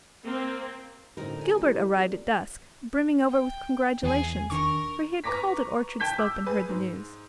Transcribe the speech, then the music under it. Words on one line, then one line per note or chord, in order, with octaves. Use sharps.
Gilbert arrived at dusk, brimming over with congratulations, for he had called at Orchard Slope and heard the news.
A#3 C4
F#2 A2 D3 C4 D#4 A#4
C2 A4 G#5
A2 F3 G4 D5
F2
G5
E2 E3 G#4
D#1 D#3 D4 A#4 C#6
B4 A#5 C#6 D6 A#6 B6
G5 A5 G6 B6
D6 E6
G#4 B4
G#2